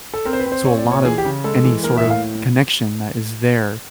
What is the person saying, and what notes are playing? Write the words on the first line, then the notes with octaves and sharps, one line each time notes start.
So a lot of any sort of connection that is there,
A4
C4 A#4
C5
B4
C4
C5
C4 C#5
D5
A#2
C#5
E3 G#4
G4
C#3
G#3 A4
E3
A#3 A#4
E5
A2
F5